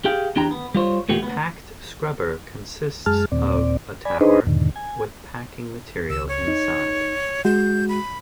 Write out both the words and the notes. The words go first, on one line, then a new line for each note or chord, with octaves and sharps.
A packed scrubber consists of a tower with packing material inside.
G4 G#4 F5 G5
E2 D4 G4 G5 A#5
B3
G3 F4 C5 C#5
E2 A3 F#4 G4
B3
F#2 G#3 G#4 A5 F6
D#2 A#2 C4 D5
D5 G#5 B5
D4 D#4 G#4 B4 C5 D#5
E2 G#2 B2 D3 D#3
G#5
C#2 E6
C#5
D#4
G#3 F#4 G6
B5